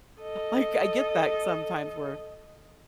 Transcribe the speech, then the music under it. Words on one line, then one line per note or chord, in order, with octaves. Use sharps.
like, I get that sometimes where
A4 D#5